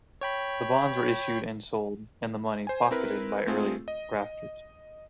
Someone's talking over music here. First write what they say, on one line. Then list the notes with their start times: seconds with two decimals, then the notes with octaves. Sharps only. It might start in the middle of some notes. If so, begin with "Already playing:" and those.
The bonds were issued and sold and the money pocketed by early grafters.
0.21 C#5 G5 B5
2.67 C5 G#5
2.91 C4 E4 A#4 B4
3.47 A3 C4 F4 G#4
3.88 D#5